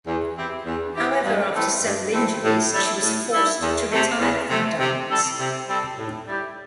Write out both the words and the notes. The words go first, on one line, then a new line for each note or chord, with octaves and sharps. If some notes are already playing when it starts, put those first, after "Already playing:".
However, after several injuries, she was forced to retire from dance.
E2
E3 C4 E4 G4
E2
E3 C4 E4 G4
G2
E3 A3 C4
G2
E3 A3 C4
A2
G3 E4 A4
A2
G3 E4 A4
E2
C3 A3
E2
C3 A3
C3
G3 C4 A4
C3
G3 C4 A4
A2
G3 E4 G4